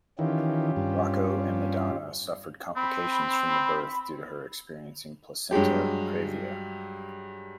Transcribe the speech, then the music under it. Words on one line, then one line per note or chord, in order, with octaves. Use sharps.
Rocco and Madonna suffered complications from the birth due to her experiencing placenta praevia.
D#3 E3 C#4 F4 G4
G2
C4 B5
G2 F#3 G#3 G4